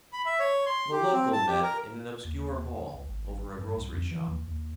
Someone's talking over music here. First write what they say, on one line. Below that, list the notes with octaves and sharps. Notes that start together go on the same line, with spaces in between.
The "local" met in an obscure hall, over a grocery shop.
B5
E5
C#5
C6
G4
C4
A5
G4
A#4
D#2
C#2
G#1
G2
C2
F2
E3
D#2
D#2